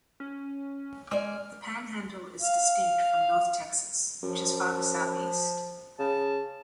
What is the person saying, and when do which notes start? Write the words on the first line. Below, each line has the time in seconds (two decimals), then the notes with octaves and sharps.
The Panhandle is distinct from North Texas, which is farther southeast.
0.20 C#4
1.11 G#3 D5 G#5 F6
2.41 F5
4.23 F#2 F3
5.99 C#3 A5